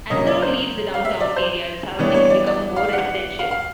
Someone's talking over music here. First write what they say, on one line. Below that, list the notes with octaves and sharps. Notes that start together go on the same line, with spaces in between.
As the road leaves the downtown area, the surroundings become more residential.
C#3 F#3 A#3 C#4 D#5
D5
C5
F5
E5
D5
C5
E3 G3 B3 D4 C#5
C#5
D5
D5
F5
F#5
F5
F5